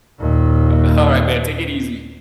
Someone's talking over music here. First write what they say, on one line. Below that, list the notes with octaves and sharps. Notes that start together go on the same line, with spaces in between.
Uh, alright, man, take it easy.
D#2 A#2